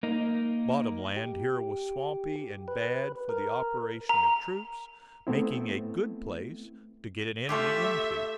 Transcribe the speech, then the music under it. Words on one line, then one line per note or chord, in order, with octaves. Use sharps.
The bottom land here was swampy and bad for the operations of troops, making a good place to get an enemy into.
A#3 D#4
G4
B4
A#4
A#5
A3 B3 C4 E4
A3 F4 G4 E5